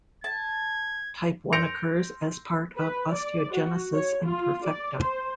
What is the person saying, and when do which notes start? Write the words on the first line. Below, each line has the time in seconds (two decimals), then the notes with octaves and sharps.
Type One occurs as part of osteogenesis imperfecta.
0.24 A5 G#6
1.53 C6 G6 A#6 C#7 D7 F7
2.77 B4
3.12 D5
3.53 F#4
3.93 C#5
4.24 F4
4.64 D5
4.99 C5